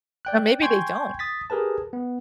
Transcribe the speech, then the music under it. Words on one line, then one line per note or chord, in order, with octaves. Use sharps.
Or maybe they don't.
D5 G5 F#6
G5 G#5 C6 C#6 G6 G#6
D#6 A6 B6
G4 G#4 A#4 B4 A5
B3